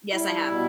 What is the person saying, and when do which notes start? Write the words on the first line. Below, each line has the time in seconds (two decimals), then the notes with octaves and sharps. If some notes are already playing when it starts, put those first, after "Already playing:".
Yes, I have.
0.11 G3 E4
0.51 B2